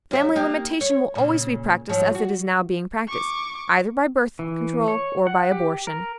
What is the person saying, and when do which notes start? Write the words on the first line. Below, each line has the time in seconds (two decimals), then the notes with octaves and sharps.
Family limitation will always be practiced as it is now being practiced--either by birth control or by abortion.
0.11 F#2 G4 E5
0.36 A#3 D#4 G4
0.81 C#5
1.15 A#2 C#3
1.89 G#2 F3 F#3
2.15 F#4
3.08 C#6 D6
4.39 E3
4.88 C#5
5.27 F#5
5.52 G4
5.87 A#4